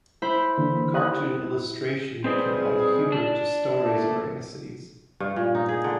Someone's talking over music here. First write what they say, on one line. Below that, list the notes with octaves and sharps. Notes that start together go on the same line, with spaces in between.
A cartoon illustration can add humor to stories or essays.
E4 C5 B5
D3 E3 A#3
G4 D#6 F#6
G3 G#3 C4 G#4 B4 C5
D4
A3 A#3
G2
A#2
D#4
G#4
D3